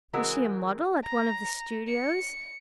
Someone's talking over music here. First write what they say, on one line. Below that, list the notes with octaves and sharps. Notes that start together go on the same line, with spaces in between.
Was she a model at one of the studios?
C#3 E3 G#3 C4 F#4 A#4
A#5
C#7